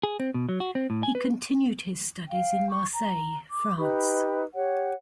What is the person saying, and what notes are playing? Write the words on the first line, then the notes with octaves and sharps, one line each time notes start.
He continued his studies in Marseille, France.
G#4
C4
B2
F#3
F#4
C4
A2
G#5
B4
F5 G5
C#6
A#5
D6
D#4 G4 B4 B5
G4 C#5 F#5